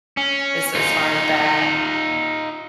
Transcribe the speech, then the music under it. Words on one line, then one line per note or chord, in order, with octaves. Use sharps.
as as far as that.
C#4
D#4 F4